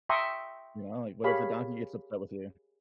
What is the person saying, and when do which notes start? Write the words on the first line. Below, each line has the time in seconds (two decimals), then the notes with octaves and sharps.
You know, like, what if the donkey gets upset with you?
0.09 E5 G5 A#5 C6 C#6 D#6
1.24 G4 G#4 A#4 C#5 F5 B5